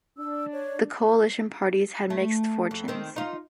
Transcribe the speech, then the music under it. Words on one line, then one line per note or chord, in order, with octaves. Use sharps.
The coalition parties had mixed fortunes.
D4 E6
C#5
A3
F2
D#3 C4
D#4 F4